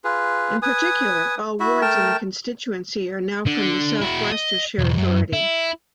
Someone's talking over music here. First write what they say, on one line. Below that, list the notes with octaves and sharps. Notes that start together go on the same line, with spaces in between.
In particular, all wards in the constituency are now from the South Gloucestershire authority.
F4 G#4 B4
B4 G#5 D#6
E4 F#4 E5
A3 A#4 G5 A5
D3
E4 F#4
D#5
B1 E2
F#2
E4